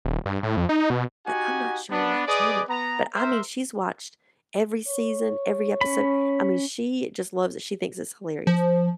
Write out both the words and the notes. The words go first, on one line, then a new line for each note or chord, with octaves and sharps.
but I'm not sure what channel. But I mean, she's watched every season, every episode, I mean, she just loves it, she thinks it's hilarious,
D#1
G2
A2
F2
D#4
B2
D#4 F#4 G4 F#5 G#5
B3 D4
G#4 B4 D5 D#5 D6 D#6
B3 A#5
A#4 C5 E5
C#5
C#4 B5
F3